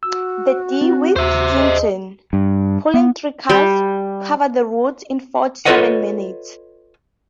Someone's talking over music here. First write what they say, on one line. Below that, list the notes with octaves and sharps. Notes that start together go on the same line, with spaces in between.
The DeWitt Clinton, pulling three cars, covered the route in forty-seven minutes.
F#4 E6
C4
D#2 C5 E5
G#4 D#5 A5
G2
B3
G3
F4 A4 B4 C#5 D#5 F#5